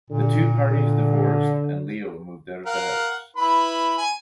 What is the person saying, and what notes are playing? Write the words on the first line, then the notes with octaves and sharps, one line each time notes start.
The two parties divorced and Leo moved out of the house.
A#2 D3
D3
A#4 F5 F#5
E4 B4 B5
G#5